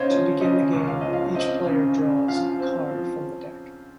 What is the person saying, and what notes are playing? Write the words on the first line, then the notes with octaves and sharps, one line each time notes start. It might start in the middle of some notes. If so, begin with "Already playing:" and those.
To begin the game, each player draws a card from the deck.
Already playing: C#3 C4 C5 C#5 D#5 F5
F3
C#3 D#5
C#2
F5
F3 D#5
F5
C4 D#5
C#3
C#3
F3 F5
C4
F3